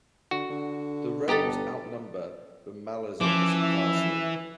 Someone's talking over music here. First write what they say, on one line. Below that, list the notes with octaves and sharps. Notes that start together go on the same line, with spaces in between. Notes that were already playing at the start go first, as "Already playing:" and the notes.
The rebels outnumber the Malazans vastly.
D3 F#4
D3
G1 B3 G4 A4 D#5 A#5
E3 F3 C#4 D6
E5